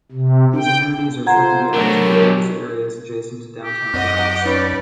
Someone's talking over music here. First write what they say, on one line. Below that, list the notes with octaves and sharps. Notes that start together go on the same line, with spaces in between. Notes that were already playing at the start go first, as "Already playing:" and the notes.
These amenities are set to be added to various areas adjacent to downtown Dallas.
C3
G5
F4 A4 C5 F#5 A#5 G#6
F#3 A3 D4 A#4
G#3 C#4 G4
G4
F#2 C4 D#5 F#5 C#6 D6
C#4 D#4 B4 C#5 D5